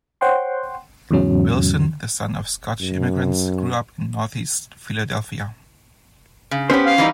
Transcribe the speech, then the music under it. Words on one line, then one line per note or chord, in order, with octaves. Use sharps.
Wilson, the son of Scottish immigrants, grew up in northeast Philadelphia.
C5 C#5 F#5 G5 C6
E2 G#2 C#3 F#3 C#4
F#2
C#3
B3 C#4 G4 C5
F5
E3 G3 D#4